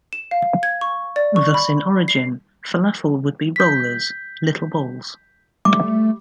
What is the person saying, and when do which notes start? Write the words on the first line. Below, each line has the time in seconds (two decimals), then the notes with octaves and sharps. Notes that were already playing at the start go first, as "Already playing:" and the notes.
Thus in origin, falafel would be rollers, little balls.
0.13 E7
0.31 F5
0.63 G#6
0.81 C#6
1.16 D5
1.36 C#6
1.54 B5
2.08 C7
3.56 G6 B6
5.65 G3 A3 D6